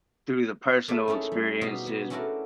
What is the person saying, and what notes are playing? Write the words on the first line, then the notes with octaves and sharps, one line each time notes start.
through the personal experiences,
A3 A#3 C#5 D5 E5
C#4 D#4 E4 A4
G3
B2 B3 D#4 G4 C5 F5
B3
C#4 D4 E4 F#4 A4 A#4